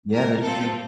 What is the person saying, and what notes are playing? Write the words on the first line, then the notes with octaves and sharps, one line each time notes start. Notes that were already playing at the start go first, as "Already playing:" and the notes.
Yeah, that's true.
E3 G3 A#3 A#4
A2 G3 C4 F4 A4